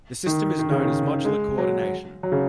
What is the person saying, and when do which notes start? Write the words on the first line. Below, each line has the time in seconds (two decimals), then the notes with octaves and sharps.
This system is known as "modular coordination".
0.26 D#3
0.59 D#3
0.71 C#3
0.83 D#3
1.25 G#3
1.58 F#3
2.23 F#3
2.32 C#3